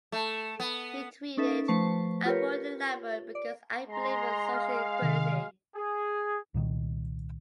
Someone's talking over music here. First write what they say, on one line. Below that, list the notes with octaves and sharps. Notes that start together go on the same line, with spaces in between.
He tweeted: I'm voting Labour because I believe in social equality.
A3
B3
C#4 D#4 A4 B4 E5
F3 A3 B4 C5 A5 C#6
F4 G4 A#4 B4 C#5
D5
G#3 A#5 C6
F5
C3 D#3
G#4
C2 A#2 D#3